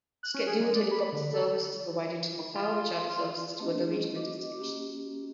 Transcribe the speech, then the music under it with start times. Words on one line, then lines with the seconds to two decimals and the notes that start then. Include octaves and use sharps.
Scheduled helicopter service is provided to Macau, with charter services to other regional destinations.
0.23 F#6
0.34 C#4
0.47 G#4
0.60 G#3
0.75 D5
0.91 B5
1.12 D3
1.33 A4
2.56 F4
3.60 A3 A#3 C4 D4 G4 D#5
3.85 G3 C#4 G#4
4.14 A#3 F#4 D#5 D6
4.59 A#3 C#4 F#4 G4